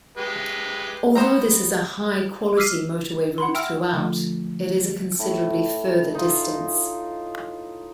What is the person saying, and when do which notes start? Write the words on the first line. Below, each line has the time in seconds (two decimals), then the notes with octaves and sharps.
Although this is a high-quality motorway route throughout, it is a considerably further distance.
0.18 G#3 G4 B4
1.15 B3 C5 G5 A#5
2.57 D6 E6 F6 B6 C7 D#7
3.38 F#5 B5 C6
3.54 E5 F#5 G5 E6 F6 D7
3.94 D3 F3 A3
5.19 A2
6.14 D#4 F4